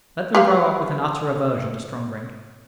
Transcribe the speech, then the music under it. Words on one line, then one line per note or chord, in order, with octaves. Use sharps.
Let them grow up with an utter aversion to strong drink.
G4 B4 F5